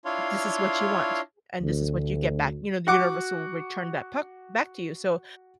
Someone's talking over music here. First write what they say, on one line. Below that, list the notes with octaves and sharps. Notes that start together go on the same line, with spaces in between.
This is what you want, and this is what you get back. You know, the universe will return that puck back to you, so,
D4 E4 F4 C#5 F5 C6
D2
F#4 F#5 D6